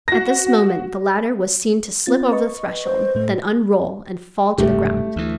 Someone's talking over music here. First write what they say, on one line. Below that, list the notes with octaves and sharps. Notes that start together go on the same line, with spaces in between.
At this moment the ladder was seen to slip over the threshold, then unroll and fall to the ground.
F#4 A#6
C4 F4 A6
B4 D#5 C#6
C5
A2 A3
E1 G2 C3 A3 G4
D2 E3